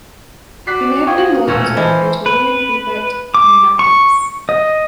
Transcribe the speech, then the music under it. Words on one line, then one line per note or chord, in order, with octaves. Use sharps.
He may have been loyal to the praetorian prefect Macrinus.
F#4 D5 F#6 B6 C7
F3 F4 G#4 G5 C#6
E1 A#2 A3 C#4 C#6 E6
E3 C5 D#5 A5
B4
D6
C#6
D#5